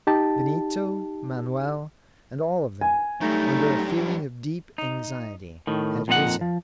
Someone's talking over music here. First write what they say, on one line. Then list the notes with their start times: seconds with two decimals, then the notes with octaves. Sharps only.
Benito, Manoel, and all of them, under a feeling of deep anxiety, had risen.
0.07 D#4 G4 A5
2.81 G#5
3.21 F#2 G3 A3 D#4
4.78 D#4
5.67 A2 D#3
6.08 F2 A#2 D#4 F4 F#5
6.41 F3